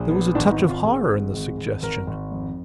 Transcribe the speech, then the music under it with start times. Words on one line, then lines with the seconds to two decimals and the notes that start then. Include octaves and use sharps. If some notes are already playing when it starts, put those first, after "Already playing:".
There was a touch of horror in the suggestion.
Already playing: A#1
0.10 B3
0.35 G#1 D4
0.51 D#4
0.59 G#1
0.68 F4
0.84 G#1 G#4
1.09 G#3
1.34 G#1
1.58 G#1
1.82 G#1 A#4
2.07 G#1
2.32 F2